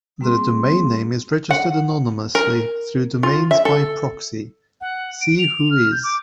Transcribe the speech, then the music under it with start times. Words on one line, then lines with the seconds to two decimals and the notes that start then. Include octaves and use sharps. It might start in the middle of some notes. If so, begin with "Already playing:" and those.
Their domain name is registered anonymously through domains by proxy, see whois.
0.21 G3 A#3 C4 G#4 C6
1.50 F#5
2.35 A#4
3.23 F4
3.51 E5
3.65 A4
4.81 F#5
5.21 D7
5.39 F7
5.71 F6
5.92 G6
6.04 D6